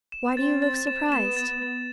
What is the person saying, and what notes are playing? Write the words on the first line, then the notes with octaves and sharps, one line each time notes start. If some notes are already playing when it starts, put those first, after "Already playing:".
Why do you look surprised?
E7
C4 A6
A6
E7
B3 E7
A6
A6